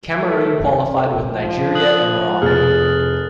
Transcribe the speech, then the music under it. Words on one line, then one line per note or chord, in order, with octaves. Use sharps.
Cameroon qualified with Nigeria and Morocco.
A3
A4
F3
D#6 F#6 F#7
F1 G#4 F6 A6